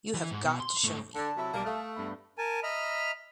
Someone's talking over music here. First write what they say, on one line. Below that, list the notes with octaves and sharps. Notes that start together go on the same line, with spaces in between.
You have got to show me.
E3
G#2
B2
C6
G#2 A3
D3 A5
C3 F#3 E4
B1 G3 A#3 D7
A3 F5 D#6 F6
G2 B3 B5
A#4 G#5 A5
D#5 E5 A#5 B5 F6